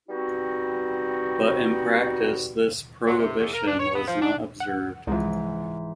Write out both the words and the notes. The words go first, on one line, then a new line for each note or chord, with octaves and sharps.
But in practice this prohibition was not observed.
G3 B3 C4 D#4 F#4
F#3
C3
E2
A#4
D4
C#5
B3
F3
D4
F#5
C2 G#2 E3 F3